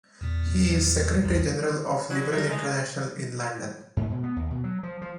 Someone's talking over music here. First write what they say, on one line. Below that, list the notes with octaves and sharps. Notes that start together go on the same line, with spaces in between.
He is secretary-general of Liberal International in London.
E2 A#2
B1 E2
E3 F#3 D4
F#3 G3 A4 A#4 E5
G#3 A3 D#4
G#2
B2
B3
D#2
B2
F#3
F3
F3